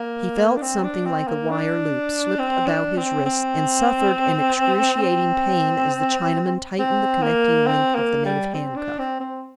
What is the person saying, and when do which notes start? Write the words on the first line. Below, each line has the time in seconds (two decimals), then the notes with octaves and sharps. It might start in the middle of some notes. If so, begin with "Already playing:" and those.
He felt something like a wire loop slipped about his wrists, and suffered an excruciating pain as the Chinaman tightened the connecting link of the native handcuff.
Already playing: A#3
0.56 D4
0.62 C4
0.84 D4
1.05 C4
1.27 A#3
1.50 D4
2.39 C4
2.67 D4
2.97 C4
3.26 C4
5.02 C4
6.79 C4
7.23 A#3
7.67 C4
7.95 A#3
8.25 G3
8.54 C4
8.76 D4
8.99 C4
9.20 C4